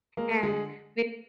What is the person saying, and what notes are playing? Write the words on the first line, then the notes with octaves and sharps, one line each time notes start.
and m
G#3 A#3 A#4
D3 G#3 G#4